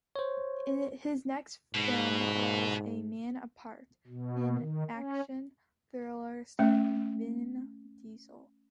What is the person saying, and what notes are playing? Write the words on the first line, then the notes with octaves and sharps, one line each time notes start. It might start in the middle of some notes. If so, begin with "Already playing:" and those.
His next film was "A Man Apart", an action thriller starring Vin Diesel.
C5 C#5
G#2 B2
B2
D#3
C#4
A3 C#4 E5